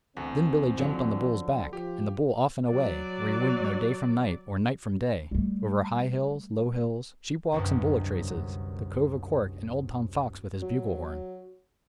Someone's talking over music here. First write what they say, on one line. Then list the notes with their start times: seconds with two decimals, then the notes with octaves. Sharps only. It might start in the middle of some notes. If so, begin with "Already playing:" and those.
Then Billy jumped on the bull's back, and the bull off and away, where you wouldn't know day from night or night from day, over high hills, low hills, sheep walks and bullock traces, the Cove o' Cork, and old Tom Fox with his bugle horn.
0.17 D2 E3 A3 B3 C4
0.77 D3 D#3 F3 F#3
1.73 F3 F4 G4
2.70 F#3 D5
5.31 G3 A3
7.52 G1 C2 F#2
10.62 F#3